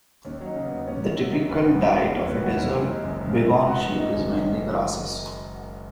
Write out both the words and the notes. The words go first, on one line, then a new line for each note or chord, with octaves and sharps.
The typical diet of a desert bighorn sheep is mainly grasses.
D#2 C#4
F#3
D#4
C#3
B3
D#2
D#2 C#4
D#3
F#3 E4
D#3
F#1 B4
E2
B2
B2
D#2
C#5
D#2 B4
D#2 F#4
D#2 E4
F#2
G#3
F#1
C#3
G#2 E4
G#2
B3 F#4
G#1
D#3 D#4
F#1
F#3
D#3